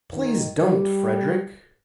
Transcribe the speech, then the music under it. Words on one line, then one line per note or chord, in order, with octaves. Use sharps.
Please don't, Frederick!
D#3
G3